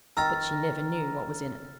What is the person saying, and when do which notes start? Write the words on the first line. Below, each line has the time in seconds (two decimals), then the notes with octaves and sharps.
But she never knew what was in it.
0.17 D#3 A#5 E6 F6 A6